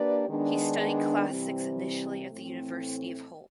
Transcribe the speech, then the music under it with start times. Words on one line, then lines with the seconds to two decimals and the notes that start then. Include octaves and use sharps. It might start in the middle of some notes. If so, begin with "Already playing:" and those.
He studied Classics initially at the University of Hull.
Already playing: A#3 D4 G4 B4 D5
0.26 D#3 G#3 B3 D4
1.28 C3 E3 G3 C4
2.30 A2 E3 A3 C4